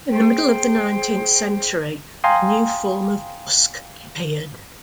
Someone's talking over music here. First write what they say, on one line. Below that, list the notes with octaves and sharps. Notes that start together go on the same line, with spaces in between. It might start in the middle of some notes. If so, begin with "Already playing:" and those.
In the middle of the nineteenth century, a new form of busk appeared.
G#4 C5 G5
F5 G5 G#5 A#5 C6 D#6